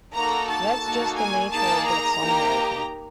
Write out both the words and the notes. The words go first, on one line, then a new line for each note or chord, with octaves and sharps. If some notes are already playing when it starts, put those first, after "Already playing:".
That's just the nature of that songwriting.
A#3 D#4 F#4 A4 A#5
A5
A#3 D#4 F#4 A4
G#5
A#3 D#4 G#4 A5
A#5
A#3 D#4 G4